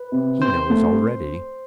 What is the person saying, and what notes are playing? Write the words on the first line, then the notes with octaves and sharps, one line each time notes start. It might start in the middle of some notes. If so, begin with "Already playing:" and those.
He knows already.
Already playing: B4
C3
C4 C5
A3